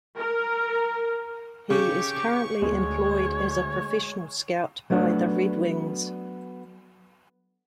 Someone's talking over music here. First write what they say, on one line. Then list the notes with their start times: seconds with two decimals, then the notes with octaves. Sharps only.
He is currently employed as a professional scout by the Red Wings.
0.19 A#4
1.70 C#3 G4 C#6
2.62 D2 G#3 C#5
4.90 F#3 A3 B3 D4